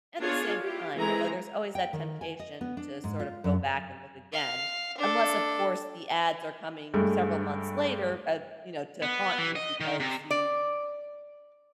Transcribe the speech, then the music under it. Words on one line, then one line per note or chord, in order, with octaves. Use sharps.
at the same time, you know, there's always that temptation to sort of go back and look again. Unless, of course, the ads are coming several months later, uh, you know, to haunt you because you
B3 D4 F4 G#4 C#5 F5
E4 F4 G4
E3 G#3 A3 C4 G#4 A#5
G5
D#3
G#5
D#5
B3
D4
G#2
F4
F#2
F5
D4 A4
G2 G#3 A3
B3
E3
D#5
D#3
C3
D5